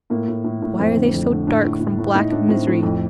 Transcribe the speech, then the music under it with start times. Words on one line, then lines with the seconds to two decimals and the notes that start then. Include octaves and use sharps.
Why are they so dark from black misery?
0.10 A2 A#3
0.28 A2
0.44 A2
0.62 A2
0.79 F2 C4
0.95 D3
1.13 F2
1.30 D3
1.47 A2 D4
1.64 A2
1.81 A2
1.98 A2
2.15 A2 D#4
2.31 A2 D4
2.48 A2 C4
2.67 A2
2.82 F2